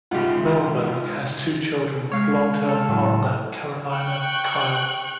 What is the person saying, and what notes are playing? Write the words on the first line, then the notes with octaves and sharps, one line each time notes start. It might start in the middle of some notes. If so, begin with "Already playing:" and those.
Mellberg has two children with long term partner Carolina Kihl.
C2 G#2 C#3 F4 G4 F#5
G#3 C#5 F5
E3 A4 F6
A2 F#3
G5 C#6 F#6